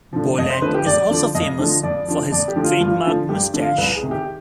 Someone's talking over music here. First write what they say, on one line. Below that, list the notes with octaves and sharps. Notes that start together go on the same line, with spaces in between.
Boland is also famous for his trademark moustache.
D3 F3
F2 D#5
C5
D3 F3 B4
G4
F2 D5
D3 F3
F2 D#5
D3 F3
F2 D5
D3 F3
F2 D5
G4
D3 F3
F4
G2 F4
D3 F3
G2 G4
D3 F3
F5
C2 B4
G#4
C3 D#3
G4